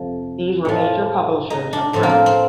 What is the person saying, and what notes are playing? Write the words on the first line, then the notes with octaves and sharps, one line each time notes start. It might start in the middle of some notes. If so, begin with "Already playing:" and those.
These were major publishers of prints.
Already playing: F2 C3 F3
A2 F3
D#4
D4
A2 F3 C4
A#3
C4
C4